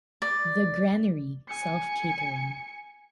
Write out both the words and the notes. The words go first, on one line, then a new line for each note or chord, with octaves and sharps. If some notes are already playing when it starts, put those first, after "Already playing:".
The Granary - self-catering.
D5
G#5 C#7